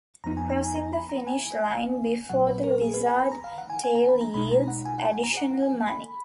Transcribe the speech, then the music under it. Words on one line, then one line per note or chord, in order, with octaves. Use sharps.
Crossing the finish line before the Lizard Tail yields additional money.
F2 F3 B3 D#4 A#5
G#5
A#5
G#5
A#5
B5
A#5
G#5
A#1 A#2 F#3 F#5
B4
A#4
G#4
B4
G#5
B5
A#5
F5
F#5
G#5
G#5
A#5
B5
A#5
B1 B2 G#3 D#4 B5
A#5
F#5
G#5
F#5
G#5
A#5
F#5
G#5
B5